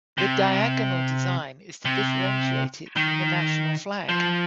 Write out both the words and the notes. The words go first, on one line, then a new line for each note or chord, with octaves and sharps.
The diagonal design is to differentiate it from the National flag.
C3
C3
D#3
F3